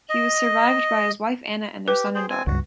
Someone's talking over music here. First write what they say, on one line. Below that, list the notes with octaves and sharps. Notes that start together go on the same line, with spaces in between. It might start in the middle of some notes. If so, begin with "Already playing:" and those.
He was survived by his wife Anna and their son and daughter.
D#5
G4 B4
G#4 C5 G5
C4 G#5
C#2 G2 F#4